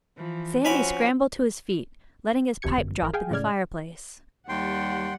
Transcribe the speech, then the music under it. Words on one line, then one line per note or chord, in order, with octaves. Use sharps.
Sandy scrambled to his feet, letting his pipe drop in the fireplace.
E3 F3
F3 C4 C#4 F#4 B5 D6
A1 D2 C3 G4 G#6 C#7
G1 F#2
G#1 E3 A#4
G#4 F5 G5 G#5
A2 C#3 G#3 D5 F6 G#6
D#2 G3 F#5 G5 C6